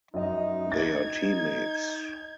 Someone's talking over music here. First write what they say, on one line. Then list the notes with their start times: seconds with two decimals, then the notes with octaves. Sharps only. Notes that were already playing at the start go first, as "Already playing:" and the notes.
They are teammates.
0.14 F#2 D#4 D#5
0.72 G#6 A6